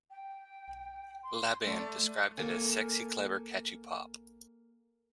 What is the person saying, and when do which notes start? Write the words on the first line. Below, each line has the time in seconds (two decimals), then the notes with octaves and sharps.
Laban described it as "sexy, clever, catchy pop".
0.10 G5
1.23 C6
1.67 A3 D5
2.38 A#3 A4 F5 G#5